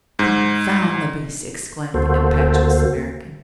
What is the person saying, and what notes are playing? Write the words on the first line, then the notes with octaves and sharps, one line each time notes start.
"Confound the beasts!" exclaimed the impetuous American.
G#2
D2 A#3 F#4 A4 C5